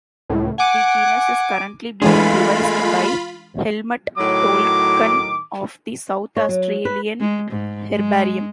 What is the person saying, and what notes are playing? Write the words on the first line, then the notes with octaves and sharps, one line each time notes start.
The genus is currently being revised by Helmut Toelken of the South Australian Herbarium.
C#2 A2
F#5 G#5 D6
E3 G#3 A3 D4 F4 G#4 B5
A2 D#3 F#3 D6
C#5
F#3
B4
G#3
G#2
G#3